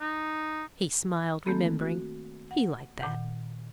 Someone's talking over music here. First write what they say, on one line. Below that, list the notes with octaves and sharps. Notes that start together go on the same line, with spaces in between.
He smiled, remembering--he liked that.
D#4
D#3 A3 A#3 C4 A4 B5
F#4
F#5
A#2 D#3 F#5